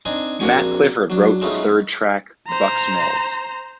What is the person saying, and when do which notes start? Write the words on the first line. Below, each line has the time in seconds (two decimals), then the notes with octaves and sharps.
Matt Clifford wrote the third track, "Buck's Mills".
0.05 C4 D4 D#4 G#5
0.40 A#1 A#3 C4 D4 F#4 G#5
1.10 F#3 D4
1.42 G#3 A3 B3 C#4 D#4 F4
2.48 C5 A#5